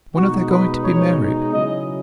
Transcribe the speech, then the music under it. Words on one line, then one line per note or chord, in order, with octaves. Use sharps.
When are they going to be married?'
B2 G#3 D#4 F#4
B4
C#5
C#3 F#3 C#4 E4 D#5